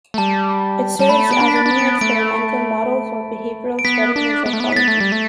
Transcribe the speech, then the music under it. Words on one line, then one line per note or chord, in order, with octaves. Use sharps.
It serves as a new experimental model for behavioral studies in psychology.
A3
G3 A5
G3 A5
A3 B5
B3 D7
D4
B6
A6
D4
B3
D7
A3 D7
D7
B3 B6
D4
B3
A3
B3
B6
B3 A6
A3
G3
A3